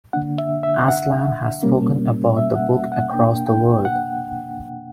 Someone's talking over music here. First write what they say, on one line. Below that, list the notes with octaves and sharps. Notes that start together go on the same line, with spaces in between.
Aslan has spoken about the book across the world.
D3 A#3 D4 F#5
E5
E5
F#5
B2 G3 A#3 C#4
E5
F#5
F#5
B2 A#3 D4 G5
G5
F#5